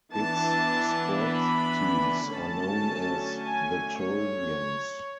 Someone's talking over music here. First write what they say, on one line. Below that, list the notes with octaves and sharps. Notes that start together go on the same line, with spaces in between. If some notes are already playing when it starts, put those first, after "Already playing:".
Its sports teams are known as the Trojans.
E3 B3 D4 A5
B5
D3 F#3 A3 C#4 A5
G#5
C#5